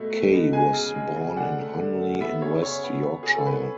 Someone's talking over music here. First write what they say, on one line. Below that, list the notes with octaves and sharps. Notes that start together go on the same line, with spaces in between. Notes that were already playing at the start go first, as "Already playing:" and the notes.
Kaye was born in Honley in West Yorkshire.
Already playing: B2 A3
A3
B2
G#3 G#5
C#3
G#3
C#3
D3 F#5
A3
D3
A3
B3 E5
C#3 C#5
C#3 C#5
B3
B3
C#3 G#4
A4
B3 B4